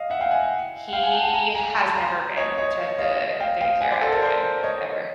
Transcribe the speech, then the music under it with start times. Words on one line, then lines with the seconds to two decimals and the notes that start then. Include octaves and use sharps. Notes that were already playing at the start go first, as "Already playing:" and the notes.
He has never been to the daycare at the gym ever.
Already playing: D#5 F5
0.10 E5 F#5
0.21 F5 G5
0.31 F#5 G#5
0.88 F#5
0.93 F5 G5
1.03 F#5 G#5
1.13 G5 A5
1.23 G5 A5
1.34 G#5 A#5
1.55 G#5 A#5
1.75 A5 B5
1.95 A#5 C6
2.37 C#5 D#5
2.58 C#5 D#5
2.99 D#5 F5
3.40 F5 G5
3.61 F5 G5
3.81 F#5 G#5
3.91 C5 D5
4.02 A4
4.12 A#4
4.22 C5 D5
4.63 C#5 D#5